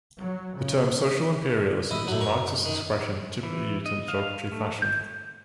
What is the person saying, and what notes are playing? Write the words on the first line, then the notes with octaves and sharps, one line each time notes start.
The term "social imperialism" is a Marxist expression, typically used in a derogatory fashion.
F#3
C#3
G#2 E4 D#5
F#3 A3
F#2 A#4 C#6
D#3
E3
D#5
F5
A3
G6